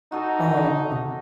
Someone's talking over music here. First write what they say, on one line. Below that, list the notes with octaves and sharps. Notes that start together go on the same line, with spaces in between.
Oh. Uh-uh.
D#4 F#4 A4 G#5